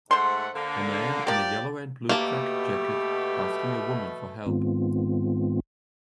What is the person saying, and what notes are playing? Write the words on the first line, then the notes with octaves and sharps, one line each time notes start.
A man in a yellow and blue track jacket asking a woman for help.
G#2 A3 C5 F#5 C6
D3 A#3
F3 A#3 G4 D5
B2 A3 A#3 G4 A5
G#2 D#3 G#3 B3 C4 F4